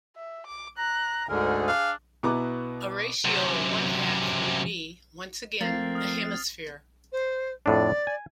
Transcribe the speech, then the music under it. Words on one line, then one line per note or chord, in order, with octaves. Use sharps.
A ratio of one half would be, once again, a hemisphere.
E5
D6
A#5 F#6
D2 G#2 D3 G#4 A#4
D4 F5
B2 B3 E4 A#5 D6
F#2 C3
F3 A3 A#3 C4 A6 C7
D#6 F6
C5
F2 A2 D4 D5
G#5